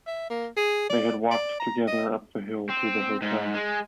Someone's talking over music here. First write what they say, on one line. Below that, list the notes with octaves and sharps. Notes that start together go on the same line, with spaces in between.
They had walked together up the hill to the hotel.
E5
A#3
G#4
D5
D5
A#5
D#5
C4
G#2
G#3